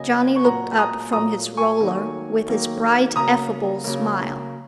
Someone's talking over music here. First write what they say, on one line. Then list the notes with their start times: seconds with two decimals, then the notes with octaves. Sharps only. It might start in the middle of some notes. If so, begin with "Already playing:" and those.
Johnny looked up from his roller with his bright, affable smile.
Already playing: C#3 F#3 A#3 D#5 G#5
0.36 C#6
0.44 A#2 F#3 A#3 F#5 A#5
0.78 A#5 D#6
1.13 A#2 F#3 A#3 A#5 D#6
1.57 G#5 C#6
1.80 D#3 F#3 A#3
2.49 D#3 F#3 A#3
3.16 C#3 F#3 A#3 A#5 D#6
3.84 C#3 F#3 A#3